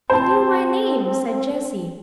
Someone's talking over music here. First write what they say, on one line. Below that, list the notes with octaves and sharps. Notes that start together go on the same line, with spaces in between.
"He knew my name," said Jessie.
C4 C5 A5